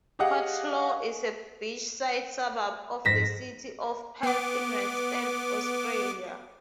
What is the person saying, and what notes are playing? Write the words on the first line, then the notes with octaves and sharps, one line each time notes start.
Cottesloe is a beach-side suburb of the city of Perth in Western Australia.
G4 G#4 D#5 F5 F#5
F2 G#2 A#6 B6 E7
B3 D6